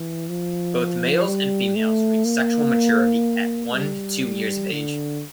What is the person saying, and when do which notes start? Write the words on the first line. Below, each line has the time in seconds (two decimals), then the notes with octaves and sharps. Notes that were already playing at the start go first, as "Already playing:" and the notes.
Both males and females reach sexual maturity at one to two years of age.
Already playing: E3
0.29 F3
1.27 G3
1.76 A3
2.25 A#3
3.73 G3
4.72 D3